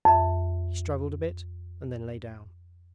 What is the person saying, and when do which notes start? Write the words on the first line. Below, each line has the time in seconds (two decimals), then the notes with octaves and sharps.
He struggled a bit and then lay down.
0.05 F2 E5